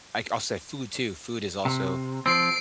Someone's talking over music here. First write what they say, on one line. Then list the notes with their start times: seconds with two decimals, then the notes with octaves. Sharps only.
I c I also have food too. Food is also,
1.65 C3
2.26 F3 C4 C7 D7